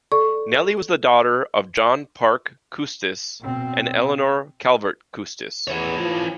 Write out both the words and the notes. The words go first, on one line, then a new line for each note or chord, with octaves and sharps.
Nelly was the daughter of John Parke Custis and Eleanor Calvert Custis.
A4 D5 C#6
B2 C4
E2 E3 C#5
F3